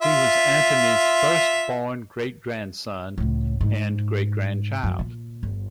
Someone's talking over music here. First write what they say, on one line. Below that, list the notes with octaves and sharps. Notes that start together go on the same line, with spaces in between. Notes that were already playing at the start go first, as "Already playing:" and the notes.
He was Antony's first born great grandson and great grandchild.
F4 E5
C#2 A2
G#2
F#2
A#2
G1